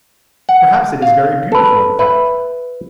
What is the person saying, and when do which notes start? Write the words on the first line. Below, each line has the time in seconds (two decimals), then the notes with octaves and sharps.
Perhaps it is very beautiful, in fact.
0.49 F#5
1.02 F5
1.52 A4 B4
1.99 B4 E5